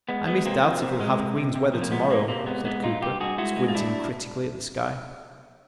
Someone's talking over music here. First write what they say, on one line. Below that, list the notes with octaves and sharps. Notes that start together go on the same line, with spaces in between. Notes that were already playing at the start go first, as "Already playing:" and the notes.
"I misdoubt if we'll have Queen's weather tomorrow," said Cooper, squinting critically at the sky.
G#3 B3
G#3 B3
C3 A#3 C4
F3
C3
G#3
C3
C3
C3
F3
A#3
G#3 B3
C3 A#3
C3 A#3
G#3 B3
G#3 B3
G2 D#4 F4
G2 F4 G4
G2 F#4 G#4
G#3 E4 F#4
G#3
F4
G2 D4 E4